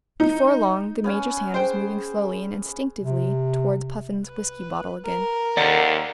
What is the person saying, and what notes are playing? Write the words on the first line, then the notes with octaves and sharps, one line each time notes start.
Before long the Major's hand was moving slowly and instinctively towards Puffin's whisky bottle again.
D#4
B3 C#4 G#5
G#4 C5 G5
C3
B4
A#4
D#2 D5 F#5